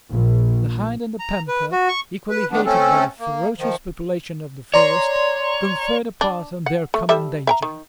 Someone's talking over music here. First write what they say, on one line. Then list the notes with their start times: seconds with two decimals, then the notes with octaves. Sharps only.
The hind and the panther, equally hated by the ferocious population of the forest, conferred apart on their common danger.
0.12 A#1
1.19 A#5
1.48 B4
1.72 F#4
1.89 C#6
2.30 B4
2.51 D#3 B3 D4
2.66 A3 C4 C#4 A4
3.19 A#3
3.59 D#3 F3
4.74 C#5 D5 A#5 C6
6.21 D4
6.66 F#5
6.94 A3
7.09 G3 A4 E5
7.47 E5 G5 A#5
7.62 D#3